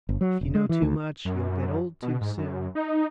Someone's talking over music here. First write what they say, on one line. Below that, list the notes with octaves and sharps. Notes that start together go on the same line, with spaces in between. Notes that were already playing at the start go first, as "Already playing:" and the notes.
"If you know too much, you'll get old too soon."
G1
F#3
E1
G#3
E3
D2
F#2
B2
G#2
F#2
D#4